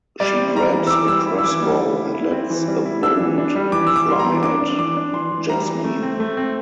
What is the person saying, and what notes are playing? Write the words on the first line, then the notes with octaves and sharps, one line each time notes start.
She grabs a crossbow and lets a bolt fly at Jasmine.
G3 D5
C4
G3 A#5
E3
E6
E3 D6
G3 E6
E4
E6
E3 D6
G3
E3
E4
E4
C4
E3
G3
E4
D4 E6
E3
D4
G3
E3 D6
E3 E6
D6
G3 C6
A#5
E3
D4 D6
D4
E3 D6
D4
E3 C6
E3
G3 A#5
E3
A3
C4
A3
C4